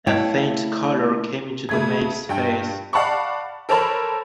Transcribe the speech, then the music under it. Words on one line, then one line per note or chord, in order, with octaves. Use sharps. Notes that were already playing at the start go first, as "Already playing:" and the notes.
A faint colour came into the maid's face.
A3 E4 C#5 F5 G5
C#3 A3 G#6
G2 G5
D5 F5 F#5 A5 B5 C#6
A4 A#4 C5 C#5 A5 B5